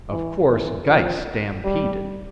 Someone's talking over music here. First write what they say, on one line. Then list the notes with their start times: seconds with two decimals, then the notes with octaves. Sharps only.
Of course Geiss stampeded.
0.11 E3
0.50 E3
0.88 F3
1.64 G3